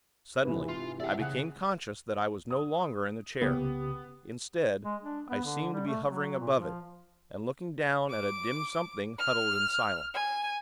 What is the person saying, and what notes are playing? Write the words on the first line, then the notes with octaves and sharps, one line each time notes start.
Suddenly, I became conscious that I was no longer in the chair. Instead, I seemed to be hovering above it, and looking down at a dim something, huddled and silent.
G#2 C3 E3 B4
F4 C6
G4 G#4 D5 E5 F#5
C#3 G#4 F#5
D#6
C2 C#3 B3 G4
G#3
D4
B3
D3
G3
A3
F#3
A#2
F3
D6
F6
G#5